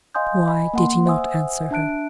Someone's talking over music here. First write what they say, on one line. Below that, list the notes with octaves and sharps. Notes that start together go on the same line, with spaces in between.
Why did he not answer her?
D#5 F5 G#5 C6 D#6 G6
D#5 G#5 B5
A#3 F#5 C6
C5 E5 F#5 G#5 D#6 E6
D4 E5 A5 F#6 D7